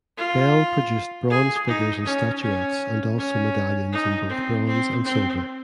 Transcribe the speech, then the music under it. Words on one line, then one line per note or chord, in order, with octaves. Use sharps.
Bell produced bronze figures and statuettes and also medallions in both bronze and silver.
F4
G#4
D#4
C#4
C#4
C#4
D#4
C4
C4
C4